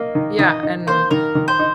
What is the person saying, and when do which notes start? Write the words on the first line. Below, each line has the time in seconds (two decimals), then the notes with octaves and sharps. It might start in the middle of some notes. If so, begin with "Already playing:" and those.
Yeah, and
Already playing: A#3 D#5
0.15 D#3
0.39 D#3 D#5
0.63 D#4
0.87 A#3 C5
1.11 D#3 A#4
1.35 D#3
1.48 C5
1.59 D#4